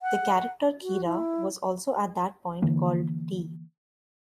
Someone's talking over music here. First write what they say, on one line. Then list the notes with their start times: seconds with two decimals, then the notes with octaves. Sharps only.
The character Kira was also at that point called Dee.
0.02 F#5
0.82 F#4
1.05 E4
2.62 D3 E3 A#3